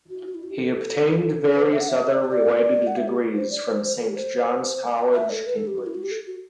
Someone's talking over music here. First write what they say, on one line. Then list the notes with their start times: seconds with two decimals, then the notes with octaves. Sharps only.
He obtained various other related degrees from Saint John's College, Cambridge.
0.10 F#4
0.27 F#4
0.35 E4
0.43 F#4
0.50 G4
0.59 A4
1.56 B4
1.65 C5
1.73 E5
1.80 F#5
1.89 E5
2.05 E5
2.14 D5
2.22 C5
2.30 D5
2.87 F#5
2.97 E5
3.08 G4
3.35 C5
3.51 D5
3.68 C5
3.84 C5
4.00 A4
4.09 G4
4.16 C5
5.14 E5
5.30 A4
5.47 B4
5.57 A4
5.67 G4
5.78 F#4
5.87 E4
5.95 F#4
6.03 G4
6.11 A4
6.27 F#4